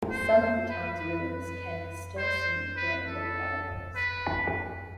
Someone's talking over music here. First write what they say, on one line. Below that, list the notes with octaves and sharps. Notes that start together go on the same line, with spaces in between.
Some of the towns ruins can be still seen during low water levels.
C5
B4
B4
B4
C5
B4
A4
B4